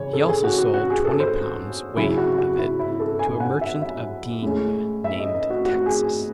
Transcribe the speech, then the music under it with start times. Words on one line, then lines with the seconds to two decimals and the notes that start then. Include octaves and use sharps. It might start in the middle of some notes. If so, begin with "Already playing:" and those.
He also sold twenty pounds weight of it to a merchant of Digne, named Taxis.
Already playing: C#3 E3 C#5
0.13 A4
0.28 G#4
0.44 F#4
0.58 F#4
0.74 F#4
0.90 G#4
1.05 A4
1.20 C5
1.97 C#3 F#3 C#4 E4
2.17 F#4
2.38 F#4
2.58 E4
2.79 E4
3.00 A4
3.19 G#5
3.40 F#5
3.61 E5
3.82 E5
4.43 A2 G#3 C#4
5.04 E5
5.20 D#5
5.35 D#5
5.50 F#4
5.65 F#4
5.86 G#4